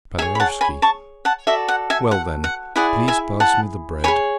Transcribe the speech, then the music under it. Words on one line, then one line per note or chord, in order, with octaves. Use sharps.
Paderewski: "Well, then, please pass me the bread."
G#4 C#5 E5 G#5
B5
F#5 A5
G#5 B5
A5 C#6
F#5 A5
F#4 A4 D5 E5
F#5
E5 G#5
F#5
F#5
E4 G#4 D5 F#5
E5 G#5
F#5 A5
G#4 C#5 G#5 B5